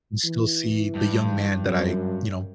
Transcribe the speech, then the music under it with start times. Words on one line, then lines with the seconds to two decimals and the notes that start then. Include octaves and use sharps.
and still see the young man that I, you know,
0.25 E3
0.95 G2
1.63 F#2